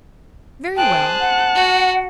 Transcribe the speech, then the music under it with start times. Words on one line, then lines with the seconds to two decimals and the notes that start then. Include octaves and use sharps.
Very well.
0.77 G#4 C5 G5 A5 F#6
1.20 F#5
1.55 F#4